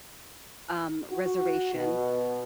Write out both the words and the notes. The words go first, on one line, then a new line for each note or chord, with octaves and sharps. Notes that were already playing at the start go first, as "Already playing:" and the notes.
um, reservation,
F#4
B2